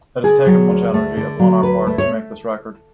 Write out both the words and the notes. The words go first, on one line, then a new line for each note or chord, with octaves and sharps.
It has taken much energy upon our part to make this record.
D3 G#4
F#3
D2
A3
D3
F#3
D2 B4
A3
C#5